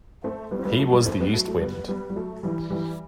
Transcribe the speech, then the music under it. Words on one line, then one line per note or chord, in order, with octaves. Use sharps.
He was the east wind.
A3 C4
G3 B3
C4
G3 B3
F#3 A3
G3 B3
A3 C4
G3 B3
F#3 A3
F#3 A3
G3 B3
G3 B3
G3
F#3 A3
E3 G3
E3 G3